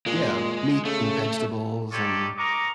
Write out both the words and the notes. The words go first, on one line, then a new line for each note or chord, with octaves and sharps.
Yeah, meats and vegetables, and
A#2 G#3
C#3 A3
D#4 F4 G4 A4 C#5 D5
A#4 D#5 A#5 C#6 D6